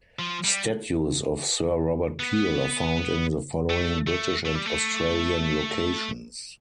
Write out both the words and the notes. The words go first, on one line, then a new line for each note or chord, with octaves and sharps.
Statues of Sir Robert Peel are found in the following British and Australian locations.
F3
G3
B3
A3
A3
A3
G3
A3